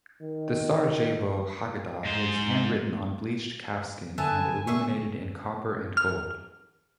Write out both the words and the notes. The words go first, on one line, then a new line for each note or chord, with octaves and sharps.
The Sarajevo Haggadah is handwritten on bleached calfskin and illuminated in copper and gold.
D#3
G#2 C5
D3 B3 E5 G#5 A5
G#4 E5 C#6
F6